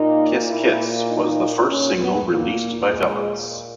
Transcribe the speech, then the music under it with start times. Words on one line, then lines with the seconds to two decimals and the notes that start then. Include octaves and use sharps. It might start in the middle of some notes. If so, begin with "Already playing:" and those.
"Kiss Kiss" was the first single released by Valance.
Already playing: A#2 D#4
0.46 E4
1.07 D#4
1.68 A#2 C#4
1.99 B3
2.30 A#3
2.90 G#3